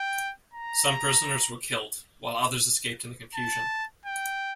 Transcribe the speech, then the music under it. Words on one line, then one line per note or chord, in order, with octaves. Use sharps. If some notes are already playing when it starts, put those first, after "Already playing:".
Some prisoners were killed, while others escaped in the confusion.
Already playing: G5
A#5
A5
G5